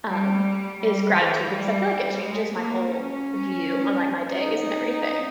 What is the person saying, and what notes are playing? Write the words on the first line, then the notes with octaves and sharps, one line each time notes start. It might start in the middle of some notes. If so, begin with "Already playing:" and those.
um, is gratitude, because I feel like it changes my whole view on, like, my days and everything.
G3
G3
E3
G3
G#3
A#3
C#4
D#4